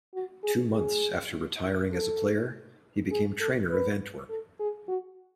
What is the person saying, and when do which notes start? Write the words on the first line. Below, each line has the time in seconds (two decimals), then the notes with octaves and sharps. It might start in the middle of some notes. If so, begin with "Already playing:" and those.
Two months after retiring as a player, he became trainer of Antwerp.
0.14 F#4
0.44 G#4
0.73 G#4
1.92 A4
3.11 G#4
3.40 A4
3.70 B4
4.29 A4
4.59 G#4
4.88 F#4